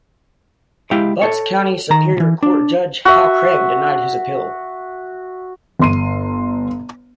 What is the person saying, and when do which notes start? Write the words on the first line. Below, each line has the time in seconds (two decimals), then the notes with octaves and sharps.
Butts County Superior Court judge Hal Craig denied his appeal.
0.91 G#3 E4 G4 F5 G5
1.22 A4 C#5
1.90 D#3 A#5
2.17 C2 E3
2.43 D4
3.05 F#4 E5
5.79 G1 C6 D#7